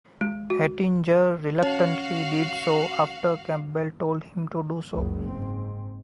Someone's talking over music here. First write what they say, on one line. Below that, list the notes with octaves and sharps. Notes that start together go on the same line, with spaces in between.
Hettinger reluctantly did so after Campbell told him to do so.
G#3
F#4
C#4 F#4 C#5 F5
F#1 C#2 F#2
G#2 C4